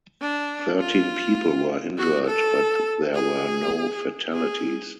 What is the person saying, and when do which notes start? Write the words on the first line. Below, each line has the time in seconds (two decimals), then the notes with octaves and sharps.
Thirteen people were injured, but there were no fatalities.
0.21 D4
0.79 F4
1.97 F#4
2.27 A4
3.14 G#4
4.33 G#4